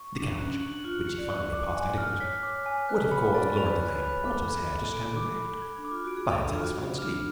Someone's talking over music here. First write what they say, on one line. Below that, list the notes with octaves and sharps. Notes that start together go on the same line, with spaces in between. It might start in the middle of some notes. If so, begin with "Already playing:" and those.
The couch which he finally passed adequate would have caused Lora Delane Porter's hair to stand erect, but it satisfied Steve.
Already playing: C#6
D4 C#7
C#4 F#6
D4 F#7
F4 F#6
C#7
D5
F#6
D6
G#5
F6
C#5 B6
D6
G#5
B4 F#6
C#5 B5
D5 A6
D5 F7
B4
C#5
F#6
C#5
B4
B5
B4
A4 D6
G#4 B5
A4 G#6
D7
D6
B5
G#6
D4
D6
F4
F#4 D7
G#4
A4 F7
D4
F4 G#6
F#4
D6
D4 F6